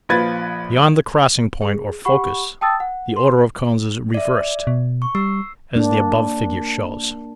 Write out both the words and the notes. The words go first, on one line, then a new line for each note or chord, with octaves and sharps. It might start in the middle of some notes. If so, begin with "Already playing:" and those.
Beyond the crossing point or focus the order of cones is reversed, as the above figure shows.
A#1 F3 B4 G#6 A6
G#4
G4 F#5 B5 C#6
G5 A5 D#6 E6 A6
F#5
C6
D5 E5
B2
C#6
G3 E6 C7
A#3 D4